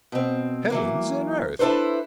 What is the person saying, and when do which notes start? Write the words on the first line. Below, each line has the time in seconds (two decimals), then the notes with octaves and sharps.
Heavens and earth!
0.12 B2 C4
0.70 E3 F#3 A#3
1.59 D4 E4 A4 B4 C5